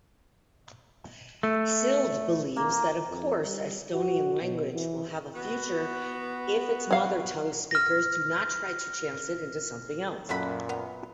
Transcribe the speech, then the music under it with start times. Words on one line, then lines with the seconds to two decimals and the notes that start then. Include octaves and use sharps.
Sild believes that of course Estonian language will have a future if its mother tongue speakers do not try to chance it into something else.
1.43 A3
2.56 A#3
3.10 F2
3.43 G3
3.93 F#4
4.41 B2
4.73 E3
5.34 B3 F#4
6.91 F#3 F5
7.71 F6 A#6
10.29 F#2 A#2 A3 F#5 B5
10.69 B3